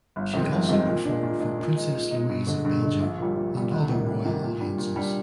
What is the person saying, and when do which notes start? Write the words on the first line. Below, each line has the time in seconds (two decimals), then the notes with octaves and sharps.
She also performed for Princess Louise of Belgium and other royal audiences.
0.16 G1
0.33 F2 D#3 G#3 C4
0.52 G1
0.69 F2 D#3 G#3 C4
0.88 A#2
1.05 G#3 D4
1.23 A#2
1.40 G#3 D4
1.59 A#2
1.76 G#3 D#4
1.94 A#2
2.11 G#3 D#4
2.29 G2
2.47 D3 G#3
2.65 G2
2.83 D3 G#3
3.00 A#1
3.18 A#2 G3
3.36 A#1
3.54 A#2 G3
3.71 D2
3.89 C3 D#3 G3 A#3
4.06 D2
4.24 C3 D#3 G3 A#3
4.42 A#2
4.61 G3 D4
4.78 A#2
4.96 G3 D4